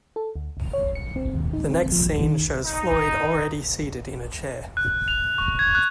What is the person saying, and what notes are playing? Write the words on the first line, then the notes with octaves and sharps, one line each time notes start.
The next scene shows Floyd already seated in a chair.
A4
D2
C#2
C#5
C#7
C4
D#2
D#4
C4
F3
D2
D#3
D#4
F#6
F7
C#6
G#6
F#6